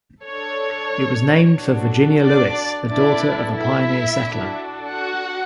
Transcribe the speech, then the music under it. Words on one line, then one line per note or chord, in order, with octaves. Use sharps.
It was named for Virginia Lewis, the daughter of a pioneer settler.
D4 A4 C#5
D4 F#4 A4
D4 D5
B3 D4 E4 A4 D5
E4 E5
D4 F#4 A4
F#4 F#5